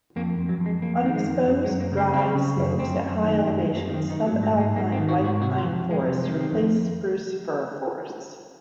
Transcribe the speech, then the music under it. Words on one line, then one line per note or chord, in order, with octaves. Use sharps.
On exposed, dry slopes at high elevations, subalpine white pine forests replace spruce-fir forests.
F2 A#3
F2
F#3
F2
G#3
F2 A#3
D#3 A#3
G#3
F2
F#2 F#3
G#3
F#2
A#3
C#3
G#3
C#3 C4
C#3
F#2
F#2 C4
F#2
D#3
F#2 A#3
G#3
F#2
A#3
D#3
C4
D#3 D#4
F#3
G#2
F#3
G#2 G#3
G#2 A#3
C4
D#3
F#4
G#2
F#4
C3 F#4
F4
F2
F2
G#3
C3 F#3
G#3
D#3
C4
F2
A#3